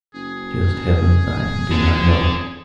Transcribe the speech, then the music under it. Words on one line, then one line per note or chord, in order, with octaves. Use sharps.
Just Heavens, I do not know.
F#1 G#4
F2 D3